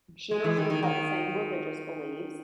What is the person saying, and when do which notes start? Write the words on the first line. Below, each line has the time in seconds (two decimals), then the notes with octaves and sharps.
Generally you have the same religious beliefs.
0.31 G#3
0.44 E3
0.57 D#3
0.70 D#3
0.83 D#3